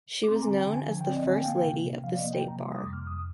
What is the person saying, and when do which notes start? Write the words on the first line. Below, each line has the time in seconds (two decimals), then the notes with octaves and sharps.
She was known as the "first lady" of the State Bar.
0.23 D6
0.28 C4 C6
0.36 A#5
0.42 G#5
0.47 D3
0.57 G5
0.67 D3
0.73 G#5
0.86 F3 G#5
1.01 G5
1.06 C4 D5
1.17 D#5
1.26 D3 G#5
1.38 G5
1.45 A#3 F5
1.53 G5
1.66 C3
1.85 C3
2.04 F3 F5
2.15 D5
2.19 D#5
2.24 A#3
2.34 G5
2.43 C3
2.48 A#5
2.63 G3 C6
2.73 D#6
2.78 D6
2.83 F2
2.93 F6
3.02 F2 D#6